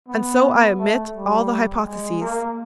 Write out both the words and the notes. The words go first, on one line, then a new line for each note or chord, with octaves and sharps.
And so I omit all the hypotheses.
B3
A3
G3
G#3
A#3